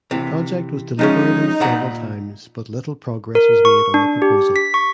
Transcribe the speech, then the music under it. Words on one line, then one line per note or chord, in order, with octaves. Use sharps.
The project was deliberated several times but little progress was made on the proposal.
C3 E3
F3 G#3 C#4 D#4
A#2 F#5 A#5
A#4
C#6
D4
G4
B6
C#6